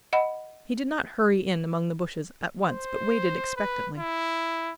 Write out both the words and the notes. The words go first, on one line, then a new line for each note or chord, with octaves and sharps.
He did not hurry in among the bushes at once but waited expectantly.
D#5 F#5 B5
C5
B4
E4